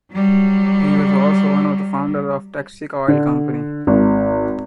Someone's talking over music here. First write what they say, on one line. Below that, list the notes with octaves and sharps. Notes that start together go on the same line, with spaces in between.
He was also one of the founders of Texaco Oil Company.
F#3 G3
D3
G#1